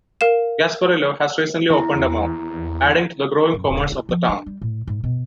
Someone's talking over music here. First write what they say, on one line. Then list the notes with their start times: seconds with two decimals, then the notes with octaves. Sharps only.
Gasparillo has recently opened a mall, adding to the growing commerce of the town.
0.21 A#4 F5 E7
1.70 E2 E4 A#5
3.54 F#2
3.70 D#1
3.92 E4
4.09 F3
4.29 D4
4.46 G3
4.62 A2
4.87 G#2
5.04 B2